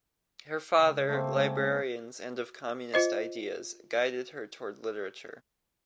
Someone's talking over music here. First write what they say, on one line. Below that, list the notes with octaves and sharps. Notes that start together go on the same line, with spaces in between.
Her father, librarians and of communist ideas, guided her toward literature.
C#3 G#3
A3 A#3 C4
G#5
F4 C5 D#5